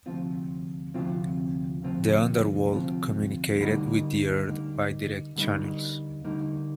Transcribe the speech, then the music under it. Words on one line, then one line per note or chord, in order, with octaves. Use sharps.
The Underworld communicated with the earth by direct channels.
D2 C3 F3 C4 F4
D2 C3 F3 C4 F4
D2 C3 F3 C4 F4
D2 C3 F3 C4 F4
D3 G3 A#3 D#4
D3 G3 A#3 D#4
D3 G3 A#3 D#4
D3 G3 A#3 D#4